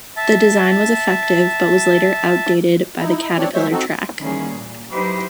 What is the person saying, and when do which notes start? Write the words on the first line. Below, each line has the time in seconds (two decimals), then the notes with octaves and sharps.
The design was effective but was later outdated by the caterpillar track.
0.17 E5 A5
2.98 D#4 E4
3.39 C4 D4 C#5 D5
3.54 F#3 G#3 C5 C#5 E5
3.71 C4 D#4 F#4 A4
4.21 D#3 E3 G3 A#3 C#4 G#4
4.54 A#2
4.90 F#3 D#4 E4 G4 B4 C5